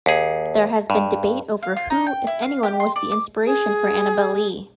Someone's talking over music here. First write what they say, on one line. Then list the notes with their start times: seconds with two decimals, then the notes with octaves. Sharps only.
There has been debate over who, if anyone, was the inspiration for "Annabel Lee".
0.06 D#2 G#4
0.90 G2
1.63 F5
1.76 F4
1.90 D#4
2.06 G5
2.27 E4
2.42 F5
2.63 G4
2.80 C6
2.96 D5
3.12 D6
3.45 G#4